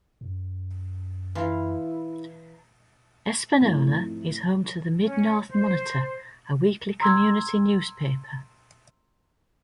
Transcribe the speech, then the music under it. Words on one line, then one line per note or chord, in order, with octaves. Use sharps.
Espanola is home to the "Mid-North Monitor", a weekly community newspaper.
F#2
E3 E4 F4 A#5
G#2 F3 A3 C4 D#4 E4
C#4
C5
A#5 C6 E6 G#6